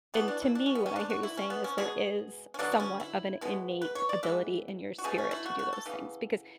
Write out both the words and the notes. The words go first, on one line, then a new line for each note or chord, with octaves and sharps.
and to me, what I hear you saying is, there is somewhat of an innate ability in your spirit to do those things, because,
E3 A3 B3
D4
E4
D4
C#4
B3
C#4
D3 A3 D4
F#4
E4
C#4
B3
C#4
B2 G#3 B3 G#4
C#4
D3 F#3 B3 D4
B3
C#4
E4
B2 G#3 B3
B4
C#5
D5
E3 G#3 B3 E5
F#4
B2 A3 G#4
C#4
E4
F#4
F#4
A4
C#3 E3 B3